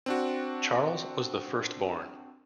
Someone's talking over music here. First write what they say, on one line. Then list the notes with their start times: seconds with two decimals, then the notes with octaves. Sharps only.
Charles was the firstborn.
0.06 C4 D4 F#4